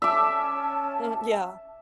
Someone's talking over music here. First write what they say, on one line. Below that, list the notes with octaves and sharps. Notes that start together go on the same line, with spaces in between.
Mm, yeah.
C#4 E5 A5 D6